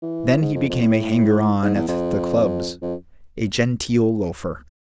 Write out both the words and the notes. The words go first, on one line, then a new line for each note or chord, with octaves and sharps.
Then he became a hanger-on at the clubs, a genteel loafer.
E3
G#2
F2
F2
A2
G#2
E2
F2
F2